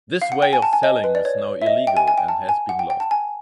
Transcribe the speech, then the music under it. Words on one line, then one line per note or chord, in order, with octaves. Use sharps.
This way of selling is now illegal, and has been lost.
F5
F#5
G5
G#5
A5
G#5
D#5
B4
D5
C#5
E5
D#5
G5
G#5
G#5
G5
A5
G#5
F#5
G5
G5
A5
G#5